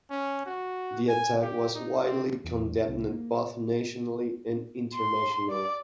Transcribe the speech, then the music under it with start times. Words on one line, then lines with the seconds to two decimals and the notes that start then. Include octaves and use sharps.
The attack was widely condemned both nationally and internationally.
0.10 C#4
0.46 F#4
1.08 G#5
1.42 G4
1.75 D#4
2.04 C4
2.45 E2
2.88 C2
3.11 A#3
4.94 C6
5.49 D5 D6